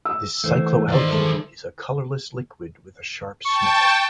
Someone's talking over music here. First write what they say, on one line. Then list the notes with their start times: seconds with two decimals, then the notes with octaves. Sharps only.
This cycloalkene is a colorless liquid with a sharp smell.
0.05 E6
0.44 E3 A3 C5
0.88 D#3 C5 D5 D#5
1.11 G#3 A4 E5 A5
3.46 G5 A5 C#6